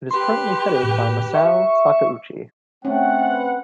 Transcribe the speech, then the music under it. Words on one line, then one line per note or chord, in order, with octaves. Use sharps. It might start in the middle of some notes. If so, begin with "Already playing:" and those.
It is currently headed by Masao Sakauchi.
G4 B4 C6
A2
E5 C#6
A3 C4 C#4 F#5 G5
B4